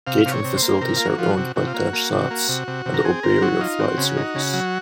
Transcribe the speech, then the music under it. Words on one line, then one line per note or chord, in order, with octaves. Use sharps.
Catering facilities are owned by Taj-Sats and Oberoi Flight Services.
C3 F5
C3
C#5
C3
C5
A#3
C3 A#4
A#3 F4
F#4
F3 F4
F#4
C3
C3 F#4
F4
A#3 F#4
A#3
C3
A#3
C3
C3
C3
A#4
C4 G#4
C4 A#4
F#3 F#4
D#4 F4
C4 F#4
C#3
D#4
C#3
F#3